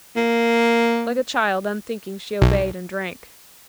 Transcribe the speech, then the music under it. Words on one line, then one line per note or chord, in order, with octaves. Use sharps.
Like a child, unthinking, she obeyed and drank.
A#3
B1